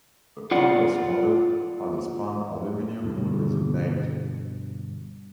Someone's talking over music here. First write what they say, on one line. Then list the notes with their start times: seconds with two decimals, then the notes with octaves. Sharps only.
The Cumbus model has a spun aluminum resonator.
0.51 F4 D5 F#5
3.03 G1 B2 D3 G3